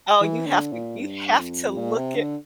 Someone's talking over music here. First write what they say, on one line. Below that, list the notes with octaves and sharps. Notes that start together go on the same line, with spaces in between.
Oh, you have to you have to look it
E3
D3
A#2
G2
F2
A#2
C3
D3